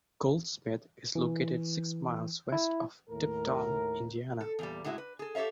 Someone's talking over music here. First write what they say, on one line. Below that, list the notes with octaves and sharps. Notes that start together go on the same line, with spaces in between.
Goldsmith is located six miles west of Tipton, Indiana.
E3
E4
D#2 A2 A#4
A4
E2 A#2 G3
A2 G#3 E4 F#4 G4 E5
B4
G#4 A4
G4 A4 C#5 E5 F5